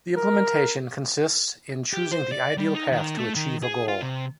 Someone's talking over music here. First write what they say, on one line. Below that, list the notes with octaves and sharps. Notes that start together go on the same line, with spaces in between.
The implementation consists in choosing the ideal path to achieve a goal.
A#4
G4
C5
D5
G3
D#4
D#3
A3
D#3
G#4
F4
C3